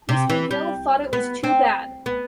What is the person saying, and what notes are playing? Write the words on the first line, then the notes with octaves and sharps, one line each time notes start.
Mr. Gill thought it was too bad.
C3
E3
G3
B3
C4
B3